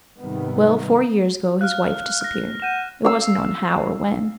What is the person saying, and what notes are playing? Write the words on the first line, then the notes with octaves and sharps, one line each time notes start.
Well, four years ago his wife disappeared--it wasn't known how or when.
G#2 C3 D#3 G3 B3
F#4
F5 F6 F#6
F6 A#6
F#5 G6 D#7 E7
F5 E6